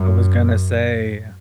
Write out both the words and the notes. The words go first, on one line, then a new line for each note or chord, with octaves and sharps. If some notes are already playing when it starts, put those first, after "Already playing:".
I was gonna say
Already playing: F#2